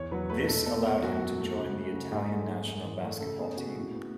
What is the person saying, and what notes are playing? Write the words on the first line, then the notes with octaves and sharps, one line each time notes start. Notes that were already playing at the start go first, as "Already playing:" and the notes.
This allowed him to join the Italian national basketball team.
Already playing: E2 C#5
F#3 B4
A3 B4
B2 A4
B3 A4
B2
F#2 F#4
F#3
A3
C#3
A3
C#3
G#2 G#4
A3
G#2
F#2
E3
A3
C#3 A4
B3 G#4
C#3 F#4
A2
B3